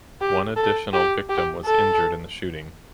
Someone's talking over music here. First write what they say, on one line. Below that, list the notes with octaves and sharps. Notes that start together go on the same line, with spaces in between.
One additional victim was injured in the shooting.
G4
A4
G4
G4
A4